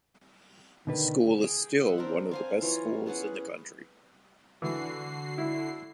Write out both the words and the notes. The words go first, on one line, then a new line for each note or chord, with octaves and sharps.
The school is still one of the best schools in the country.
B2 D3 D#3 B4
G#4 G5
E5 F#5 B5 C6
C4 D4 A#4
C4 F5 G#5
E3 F4 C#5 A#5
B3 C#4 G#4 F#5
D3 E3 F#4 C7
E4